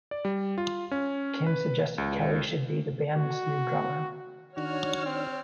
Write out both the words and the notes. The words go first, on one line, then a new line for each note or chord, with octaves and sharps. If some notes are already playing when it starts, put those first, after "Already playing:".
Kim suggested Kelley should be the band's new drummer.
D5
G3
F4
C#4
B4
C#2
F#4
D#3 D4 F#4 C#5 F6
C4